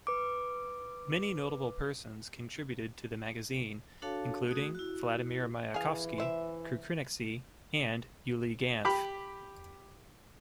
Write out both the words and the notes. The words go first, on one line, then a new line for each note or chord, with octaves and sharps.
Many notable persons contributed to the magazine, including Vladimir Mayakovsky, Kukriniksy, and Yuliy Ganf.
B4 D6
D4 F#4 A4 C#5 F5 A5
A3 F#4 G#4 D#6
E4 F#4
E3 G#4 F5
C5 E5
G4 B5 D6